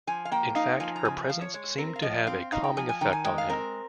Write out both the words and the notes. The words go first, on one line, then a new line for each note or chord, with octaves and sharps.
In fact, her presence seemed to have a calming effect on him.
F3 G#5
F5
A#3 G5
D#4 F5
F3 G#5
A#5
C#3 G#5
G#5
F3 F5
C#5
G#3 C#5
C4 A#4
F5
F3 D#5
C4 F5
D#4 F5
G5
F3 G#5
G#5
D#3 G5
G#5
G#3 G5
F5
C4 A#4